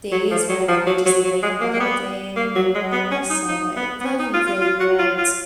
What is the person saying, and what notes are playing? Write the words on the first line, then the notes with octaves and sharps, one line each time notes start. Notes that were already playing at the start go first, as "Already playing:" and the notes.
days where I wanna just lay in bed all day anymore, so it feels really good.
F#3
F3
F#3
F3
F#3
F#3
F#3
G#3
A#3
A#3
B3
A#3
F#3
G#3
B3
C#4
D#4
D#4
B3
B3
C#4
D#4
F4
F4
F4
F#4
F4
F4